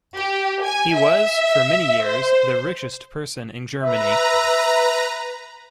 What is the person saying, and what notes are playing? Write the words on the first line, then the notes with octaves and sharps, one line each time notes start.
He was for many years the richest person in Germany.
G4
G#5
E5
C5
B4 E5 A#5